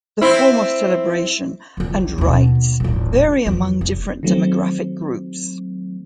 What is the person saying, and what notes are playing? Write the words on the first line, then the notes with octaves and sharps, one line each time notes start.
The form of celebration and rites vary among different demographic groups.
C4 E4
F#1 C#2
D#2 B2
D#1 A1
F2 E3
F1
D#3 F#3 A3 C4